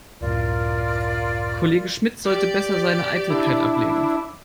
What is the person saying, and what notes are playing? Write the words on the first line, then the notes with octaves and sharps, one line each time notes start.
Kollege Schmidt sollte besser seine Eitelkeit ablegen.
C#2 F#2 A2 F4 A#4 D5
G4 D5
D4 E4